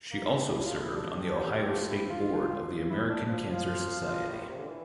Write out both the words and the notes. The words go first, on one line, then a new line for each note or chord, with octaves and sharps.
She also served on the Ohio state board of the American Cancer Society.
A#3
C4
D4
E4
F4
D4
E4
D4
A3 D4 G4
F4
E4
F4
E4
D4
F3
F4 C5 F5
A2
A#2
C3
D3
E3